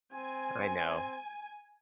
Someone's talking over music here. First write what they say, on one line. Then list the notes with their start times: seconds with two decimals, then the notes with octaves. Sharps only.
I know.
0.13 C4 G#5